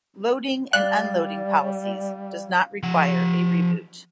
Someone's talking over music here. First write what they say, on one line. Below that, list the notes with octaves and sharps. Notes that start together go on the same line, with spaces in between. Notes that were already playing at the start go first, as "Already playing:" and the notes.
Loading and unloading policies does not require a reboot.
G3 D5 F5 F#6
F3 F#5